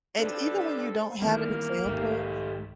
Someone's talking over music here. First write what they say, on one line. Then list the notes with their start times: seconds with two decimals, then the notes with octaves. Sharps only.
And even when you don't have an example
0.19 C4 D4 A4 B4
1.22 G2 D#3 E3 G3 A#3 B3
1.85 B1 G#2 D#3 A3 G4